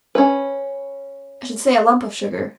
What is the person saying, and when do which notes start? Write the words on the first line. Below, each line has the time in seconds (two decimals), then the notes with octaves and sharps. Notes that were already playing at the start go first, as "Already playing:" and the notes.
I should say a lump of sugar.
0.15 C#4 B4